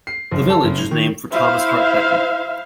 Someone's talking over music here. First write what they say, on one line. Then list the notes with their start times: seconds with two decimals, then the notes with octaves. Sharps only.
The village is named for Thomas Hart Benton.
0.07 C7
0.31 F#1
0.50 A4
0.63 F#1
0.78 F7
0.91 D#3
1.30 E4 C5 E5 F5